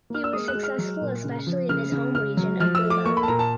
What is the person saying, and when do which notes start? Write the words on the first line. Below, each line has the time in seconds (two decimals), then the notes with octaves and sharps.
He was successful especially in his home region of Bilbao.
0.10 A#3 F6
0.24 E6
0.33 G#3 D#6
0.48 F#6
0.55 G#3
0.63 F6
0.78 F#3
1.01 A#2
1.24 C#3
1.47 F3
1.69 C#3 F6
1.92 C#3
2.15 C#3 F6
2.37 F#3
2.60 F3 F6
2.75 E6
2.83 A3
2.90 D6
3.06 A#3 C#6
3.17 B5
3.23 A5
3.28 A#2 A#5
3.39 A5